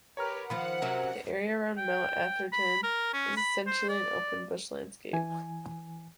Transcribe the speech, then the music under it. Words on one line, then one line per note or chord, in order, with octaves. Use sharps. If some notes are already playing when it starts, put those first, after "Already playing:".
The area around Mount Atherton is essentially an open bush landscape.
G4 A#4 B4 C#5 A#5 F6
D#3 F3 F4 F#5 B5
C3 F#3 C#4 A#4 E5
G5
B5
A#4
C#4
B5
C5
D5
E3 G#5